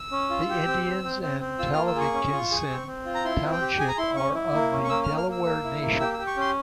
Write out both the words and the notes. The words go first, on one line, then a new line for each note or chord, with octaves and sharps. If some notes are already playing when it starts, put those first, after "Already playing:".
The Indians of Towamencin Township are of the Delaware Nation.
Already playing: E6
C#4
F4
G4
C4
C4
C4
C4
C4
F4 E6
A#3 F6
E6
G#4 C#6
C#4
F4
G#4
C4
C4
F4
A#5
E4 C6
C4
G5
G4
G#4 G#5
A#5
E4 C6
C#4 C#6
E4
A#3
C#4
C#6
A#3 E6
F6
A#3
F6
A#3 E6
A#3
E4
A#3
G4 E6
G4 E6
C#6
C#4 C6